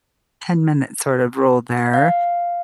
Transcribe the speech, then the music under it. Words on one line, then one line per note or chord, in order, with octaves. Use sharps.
ten-minute, sort of, rule there,
F5